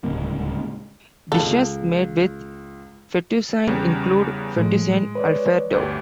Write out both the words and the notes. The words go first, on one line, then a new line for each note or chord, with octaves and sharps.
Dishes made with fettuccine include Fettuccine Alfredo.
D1 C#2 A#3
C#2 A4
E2 C#3 G3
A2 F3 G#3 A3
B4 C#5 D5
G1 D2 G4